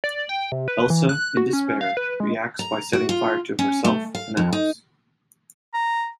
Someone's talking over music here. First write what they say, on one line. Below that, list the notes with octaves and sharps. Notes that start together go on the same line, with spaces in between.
Elsa, in despair, reacts by setting fire to herself and the house.
D5
G5
C3
B4
E3
F#6
F#4
C#4
F5
B4
G#3
A#5
F#4
F4
C#4
A3
F5
F2
D#4
A#5